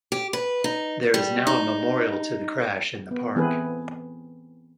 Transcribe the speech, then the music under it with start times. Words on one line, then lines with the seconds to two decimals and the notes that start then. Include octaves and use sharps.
There is now a memorial to the crash in the park.
0.12 G4
0.33 B4
0.64 D#4
1.14 G3
1.47 D#4
3.11 B3
3.36 E3 B3 C4 G#4 A4 B4